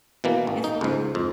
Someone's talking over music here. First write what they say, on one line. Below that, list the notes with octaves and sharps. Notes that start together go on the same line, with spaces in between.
It's, like
B2 E3 A#3
A1
D#4
C#2 G#2
F2